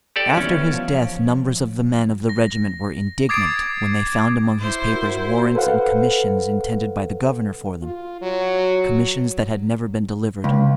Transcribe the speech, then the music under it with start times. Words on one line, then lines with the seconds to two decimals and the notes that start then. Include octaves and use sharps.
After his death numbers of the men of the regiment were indignant, when they found among his papers warrants and commissions intended by the governor for them, commissions that had never been delivered.
0.16 G4 A4 D5
0.37 E3 B3 C#4
0.73 F3
2.29 A#6
3.29 D6 D#6 G#6 A6 C7 D7
4.59 E4 C5
4.92 F#4 A#4
5.55 A4 B4 C5 F5 F#5
7.82 F4
8.22 F#3
10.44 C#2